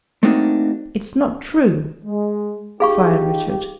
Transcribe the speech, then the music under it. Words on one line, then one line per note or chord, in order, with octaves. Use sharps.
"It's not true!" fired Richard.
A3 A#3 C4 D4 D#4 F#4
G#3
D#4 F4 G4 G#4 F5 C#6